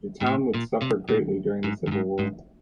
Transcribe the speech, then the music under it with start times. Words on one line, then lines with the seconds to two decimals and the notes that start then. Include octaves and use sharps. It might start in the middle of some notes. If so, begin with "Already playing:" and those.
The town would suffer greatly during the Civil War.
0.21 G#2
0.26 A2
0.54 A#2
0.82 C3
1.09 A#2
1.64 G#2
1.87 G2
1.92 G#2
2.19 G#2